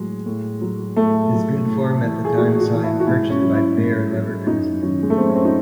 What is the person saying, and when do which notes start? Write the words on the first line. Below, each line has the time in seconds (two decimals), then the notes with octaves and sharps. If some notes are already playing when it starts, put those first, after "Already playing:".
His good form at the time saw him purchased by Bayer Leverkusen.
Already playing: A2 F#3 G#3
0.26 A2
0.61 F#3
0.96 A2 A3
1.32 F#3
1.66 A2
2.02 E3
2.25 G#4
2.37 A2 F#4
2.60 F#4
2.71 E3
2.83 E4
3.00 F#4
3.07 G#2 E4
3.30 C#4
3.42 F#3
3.54 E4
3.77 G#2
4.12 F#3
4.47 F#2 D#4
4.83 D#3 F#3 C#4
5.03 G#3
5.10 A3
5.18 F#2 C4
5.29 C#4
5.36 C4
5.45 D#4